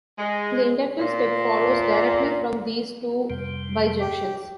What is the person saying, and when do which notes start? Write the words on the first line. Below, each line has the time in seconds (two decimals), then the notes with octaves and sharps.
The inductive step follows directly from these two bijections.
0.19 G#3
0.99 A#2
3.30 F2 C3 G3
4.00 G4